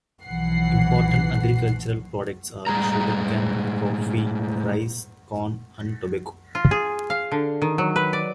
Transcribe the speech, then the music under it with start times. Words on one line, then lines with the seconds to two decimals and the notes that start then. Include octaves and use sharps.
Important agricultural products are sugar cane, coffee, rice, corn, and tobacco.
0.25 B1 E3 F3 F#5 C7
2.67 A2 G3 G#3 A#5
6.55 F4
6.71 G#4
7.10 F5
7.32 D3
7.62 D#3
7.78 F#3
7.96 B4
8.13 D5